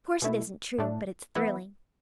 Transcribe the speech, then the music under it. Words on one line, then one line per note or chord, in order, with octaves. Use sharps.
"Of course it isn't true, but it's thrilling."
B2 A3 E4
A2 A3 D4
E3 B3 E4